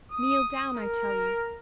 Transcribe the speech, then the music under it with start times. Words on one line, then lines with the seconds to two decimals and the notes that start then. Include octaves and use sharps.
Kneel down, I tell you.
0.11 D#6
0.75 A#4